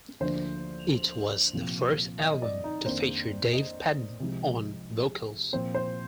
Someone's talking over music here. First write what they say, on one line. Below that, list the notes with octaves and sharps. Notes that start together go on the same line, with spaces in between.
It was the first album to feature Dave Padden on vocals.
D2 D3 F3 A#3 D4 C5
C2 A#2 F3 C4
D#5
D5
D#4
F2 D#3 A#3 D4 C5
D#5
C2 C3 F3 G#3
A#2 F3 C4 C5
C5